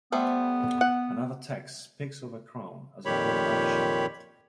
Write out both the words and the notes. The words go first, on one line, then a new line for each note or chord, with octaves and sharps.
Another text speaks of a crown as a "great magician."
G3 A3 B3 C5
F#5
F2 A#2 D#3 G4 C#5 B5